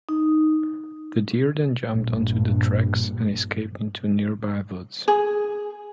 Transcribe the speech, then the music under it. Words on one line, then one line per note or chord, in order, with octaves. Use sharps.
The deer then jumped onto the tracks and escaped into nearby woods.
D#4
A#1 G2
G#4